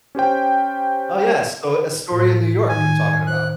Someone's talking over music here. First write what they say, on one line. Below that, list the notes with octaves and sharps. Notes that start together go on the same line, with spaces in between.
Oh, yes. So, Astoria in New York, you're talking about.
C#4 G4 C5 G5
A2
D#3 D#4 G#5
C5 F#6